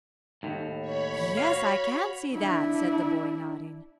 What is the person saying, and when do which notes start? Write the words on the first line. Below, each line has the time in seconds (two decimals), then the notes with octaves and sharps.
"Yes; I can see that," said the boy, nodding.
0.43 D#2 A2
0.81 C#5 B5
1.37 F#4 F5
2.33 D4 E4